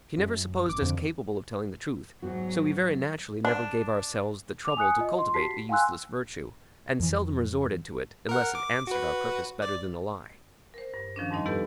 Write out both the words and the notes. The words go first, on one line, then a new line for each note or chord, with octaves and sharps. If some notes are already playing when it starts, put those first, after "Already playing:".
She never supposed us capable of telling the truth, so we very naturally never gave ourselves the trouble to cultivate a useless virtue, and seldom resorted to it unless it answered our purpose better than a lie.
F#2
A1 D6
F2 D3
G#2 F#3 B3 F#4
D4
D6 F7
G#5 D#6 F#6 C#7
F4 D#5
C6
F#4 G4 A5 B6 C7
F5 G5 G#5 C6 E6 F#6
F2 E3
A#4 F#5
D6
F#4 B4
D5
A#4 C5
G2
D#3 F3 C#4 D4
F2 G#2 G3 D#4 D#5
B3 E4 G4 A4 B4